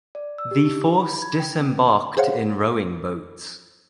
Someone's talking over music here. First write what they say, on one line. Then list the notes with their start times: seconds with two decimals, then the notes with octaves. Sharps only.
The force disembarked in rowing boats.
0.15 D5
0.38 E6
0.51 G4
0.65 D#4
1.01 B5
1.22 G#6
1.40 G5
1.60 C4
2.17 G#4 C5 C#5 F5 F#5